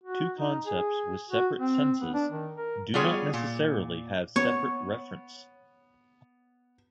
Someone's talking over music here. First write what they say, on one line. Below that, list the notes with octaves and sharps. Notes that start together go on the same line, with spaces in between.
Two concepts with separate senses do not necessarily have separate referents.
F#4
D#4
G#4
F#4
C4
B3
D4
D#3
A#4
G3 B3 F4 G#4 C#5
A#2
B3 C#5